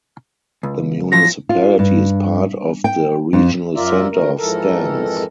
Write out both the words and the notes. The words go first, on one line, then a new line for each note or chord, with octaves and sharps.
The municipality is part of the regional center of Stans.
C#2
A2 F3 F#3 A#6
F4
G2
G5
F2
F#2 F4 A#4 D5 E5
D2 A3 A#4
F2 G#2 E3 A4 A#4